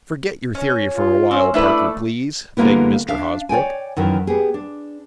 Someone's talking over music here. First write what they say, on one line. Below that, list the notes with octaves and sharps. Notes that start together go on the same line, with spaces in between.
"Forget your theory for a while, Parker, please," begged Mr. Hosbrook.
C#4
F4
C4 C#4
A3 D4 E4 B4
D3 G3 G#3 A#3 B3 E4
D4 E5 F5
C#5 D5 G5 G#5
F#2 D#3 E3
B3 G4 G#4
D4